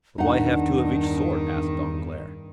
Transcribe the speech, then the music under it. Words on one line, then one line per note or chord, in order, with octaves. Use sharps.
"But why have two of each sort?" asked Danglars.
E2 G2 D#3 D4 D#4 F#5